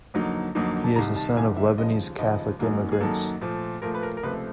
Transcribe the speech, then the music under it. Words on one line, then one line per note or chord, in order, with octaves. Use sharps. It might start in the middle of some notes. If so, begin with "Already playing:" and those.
He is the son of Lebanese Catholic immigrants.
F2 D3 F#3 A#3 D#4
F2 D3 F#3 A#3 D#4
A5
C2 C3 D#3 A#5
A5
C2 C3 D#3 G#5
E5
D#2 C#3 F3 D#5
D#2 C#3 F3 D#5
F#2 D#3 F#3 A#3
G#4
F#2 D#3 F#3 A#3 A4
A#2 F3 A3
A#2 F3 A3 A#4
B4
A#4
A#4
C#2 C3 F3 A3 C4 B4